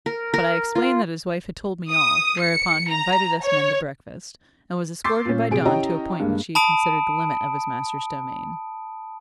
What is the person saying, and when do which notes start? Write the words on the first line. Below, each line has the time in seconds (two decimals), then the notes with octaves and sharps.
But I explained that his wife had told me all, whereupon he invited us men to breakfast, and was escorted by Don to a point which he considered the limit of his master's domain.
0.06 A#4
0.34 A#4
0.75 F4
1.89 D#6
2.40 C#7
2.91 A#5
3.42 C#5
5.04 C6 D6 E6 G6 A6 C7
5.25 A#2 C#4
5.51 C3 G#4 D7
5.65 C#4 E4 G4 D#5 G5 A#5
6.19 G2 G#3 A#3
6.55 A5 B5 D#6 D7